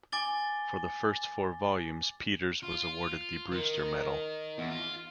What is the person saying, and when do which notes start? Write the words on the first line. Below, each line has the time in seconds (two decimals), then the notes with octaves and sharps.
For the first four volumes Peters was awarded the Brewster Medal.
0.12 G#5 D6 A6 G7
2.63 F4
3.52 D#3
4.58 E2
4.70 F4